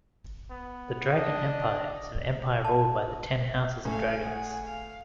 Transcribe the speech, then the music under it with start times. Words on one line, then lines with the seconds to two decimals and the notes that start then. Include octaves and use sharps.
The "Dragon Empire" is an empire ruled by the ten houses of dragons.
0.50 B3
1.14 D4 D#5
2.65 A5
3.85 A2 C#4 A4 F5 G#5
4.21 G#4 F#5
4.65 F5